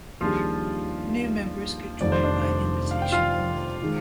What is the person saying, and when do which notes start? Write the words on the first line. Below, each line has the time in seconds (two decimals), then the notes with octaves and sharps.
New members could join by invitation only.
0.21 D#2 D#3 F3 G3 D4 F4 G#4
2.01 F1 F2 C3 D#3 G3 D5
2.12 C5
2.23 D4 D5
2.91 F5
3.02 G5
3.12 F4 F5
3.82 D#3 G#3